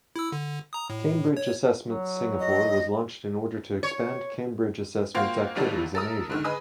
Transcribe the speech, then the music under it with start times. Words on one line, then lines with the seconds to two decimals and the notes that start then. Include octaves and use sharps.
Cambridge Assessment Singapore was launched in order to expand Cambridge Assessment's activities in Asia.
0.16 E4 E6
0.32 D3
0.73 A#5 D#6
0.90 A2
1.37 C#5
1.88 F#3
2.39 D#5
3.83 C#5
5.15 A#3 F4 F#4 C5 F5 G5
5.55 G#1 B2 F#3 G3 D#4 A5
5.95 A4 A#4 D#6
6.30 G#2 D3 D#3
6.45 G#4 B4 D#5 G#5 D#6